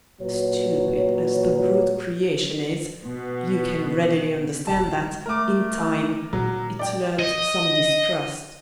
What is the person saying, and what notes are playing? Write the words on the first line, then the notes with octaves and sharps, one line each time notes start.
Stupid as the brute creation is, you can readily understand that, in time, it learnt some distrust.
A#2 F#3 B4 C#5
B2 B3
D#1 A5
G#3
A3 A#4 D6
A#2 D#3 F#3
D5 G5
D#5